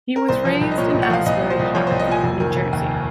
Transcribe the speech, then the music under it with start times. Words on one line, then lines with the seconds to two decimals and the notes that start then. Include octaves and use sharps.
He was raised in Asbury Park, New Jersey.
0.16 A#4
0.28 C2 C5
0.45 F3
0.61 C2
0.71 D#5
0.77 A#2 C#5
0.90 C2 D#5
1.02 F#5
1.10 F3 F5
1.26 C2 D#5
1.43 A#2
1.50 C5
1.59 C2
1.75 F3 C#5
1.87 C2 C5
1.99 D#5
2.07 A#2 G#5
2.23 F1
2.40 D#3
2.56 F1
2.73 D#2